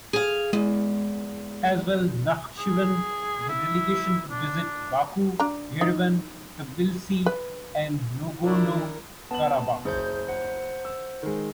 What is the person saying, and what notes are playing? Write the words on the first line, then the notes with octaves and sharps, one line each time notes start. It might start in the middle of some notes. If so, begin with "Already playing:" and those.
As well as Nakhchivan, the delegation would visit Baku, Yerevan, Tbilisi, and Nagorno Karabakh.
G#4 F5
E2 G#3
G#4
E4
D4
D4 A#5
D#4
B4
D#3 D4 E4 F4 A#4
B3 A5 F#7
F#1 G#4 C5 G6
C5 F#5
E6
D#3 G#3